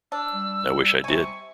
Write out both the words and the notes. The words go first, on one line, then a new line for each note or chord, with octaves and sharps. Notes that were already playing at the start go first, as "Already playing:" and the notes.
I wish I did.
D4 E6
G3
C3 G#5 C#6